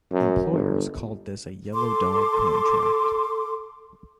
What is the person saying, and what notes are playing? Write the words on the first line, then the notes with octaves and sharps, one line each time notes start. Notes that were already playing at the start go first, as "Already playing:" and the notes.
Employers called this a yellow-dog contract.
F#2
G1
A4 C6 D6